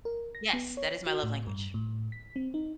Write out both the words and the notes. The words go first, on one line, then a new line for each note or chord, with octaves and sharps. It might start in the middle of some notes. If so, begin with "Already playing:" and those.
Yes. That is my love language.
A#4
A#6
B3
C#5
F#4
A2
G2
A2
B6
C4
D#4